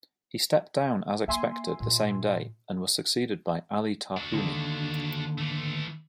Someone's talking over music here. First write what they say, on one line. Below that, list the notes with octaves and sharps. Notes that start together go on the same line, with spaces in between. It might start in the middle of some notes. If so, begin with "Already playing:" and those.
He stepped down as expected the same day and was succeeded by Ali Tarhouni.
A#3 E5 G#5 C6
A#2
D4 F#4
D#2 D3
E3 A3